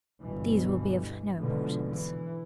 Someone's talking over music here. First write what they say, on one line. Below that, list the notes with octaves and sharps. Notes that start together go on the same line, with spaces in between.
These will be of no importance.
G1 B2 E3
G#2 B2 D3 E3 F3
E3